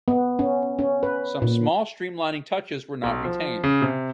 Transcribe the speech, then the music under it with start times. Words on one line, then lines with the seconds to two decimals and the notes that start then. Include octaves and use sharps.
Some small streamlining touches were not retained.
0.08 B3
0.39 C#4
0.79 C#4
1.03 B4
1.42 A#2
3.03 B1
3.25 F3
3.64 C#3
3.82 C3